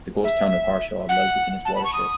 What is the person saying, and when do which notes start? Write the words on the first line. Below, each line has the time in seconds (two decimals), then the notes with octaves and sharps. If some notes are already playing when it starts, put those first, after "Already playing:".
The ghost town of Harshaw lies within its watershed.
0.24 E5
1.09 F#5
1.65 A5
1.75 B5
1.84 C#6
1.93 D#6